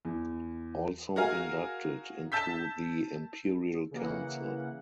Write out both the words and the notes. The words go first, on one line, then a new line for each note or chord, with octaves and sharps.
Also inducted into the Imperial Council.
E2
F#4 G#4 A#4 F5 G#5
A5 E6 G6 B6
C#3 E3 A#3 F#5